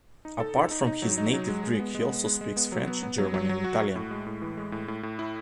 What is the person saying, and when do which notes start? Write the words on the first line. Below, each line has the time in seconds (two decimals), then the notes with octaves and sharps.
Apart from his native Greek, he also speaks French, German and Italian.
0.25 D#4
0.40 A4
0.56 D#4
0.71 D#4
0.87 D#4
1.02 F#3
1.18 D#4
1.33 F#3
1.48 G#3
1.64 G#3
1.79 B3
1.95 G#3
2.10 B3
2.26 G#3
2.41 G#3
2.57 B3
2.72 F#3
2.87 B3
3.03 B3
3.18 F#3
3.34 F#3
3.49 F#3
3.64 F#4
3.80 F#4
3.96 A2
4.11 G#3
4.27 A2
4.42 E3
4.57 G#3
4.72 A2
4.88 A2
5.03 A2
5.19 E4